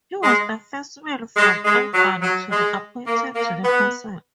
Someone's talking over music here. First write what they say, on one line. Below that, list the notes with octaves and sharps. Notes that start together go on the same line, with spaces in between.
He was the first man from Albany to be appointed to the council.
G#3
G#3
G#3
F#3
F#3
G#3
A#3
A#3
B3